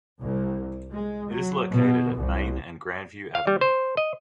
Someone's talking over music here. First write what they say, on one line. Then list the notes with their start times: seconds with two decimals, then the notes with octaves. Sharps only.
It is located at Main and Grandview Avenue.
0.20 C2
0.90 G#3
1.31 F#3
1.71 B2
2.15 C2
3.35 F5
3.47 G3
3.61 C5
3.97 D#5